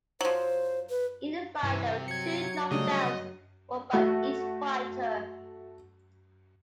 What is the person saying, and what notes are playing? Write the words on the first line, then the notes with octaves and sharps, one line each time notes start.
In the fight there were two knockdowns, one by each fighter.
F3 F#3 C5
B4
G2 C3 E3
F#3 G#6 C#7
C#3 G3 A3 D4 D#5
A3 F#4